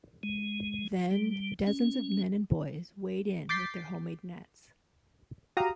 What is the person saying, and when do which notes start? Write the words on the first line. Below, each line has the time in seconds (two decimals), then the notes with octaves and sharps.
Then dozens of men and boys wade in with their homemade nets.
0.23 G#3
1.11 G3
1.67 C#4
3.49 D6 G6 A6 B6 C7
5.57 F#4 G4 F5 A#5 D#6